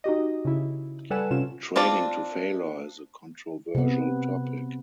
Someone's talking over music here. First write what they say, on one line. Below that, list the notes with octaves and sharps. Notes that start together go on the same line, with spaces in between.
Training to failure is a controversial topic.
D#4 F#4 G4 D#5
C#3 E4
G3 A4 B4 F#5 G#5 E7
C3 C#4 F4 E7
C4 D4 F4 D5
C3 B3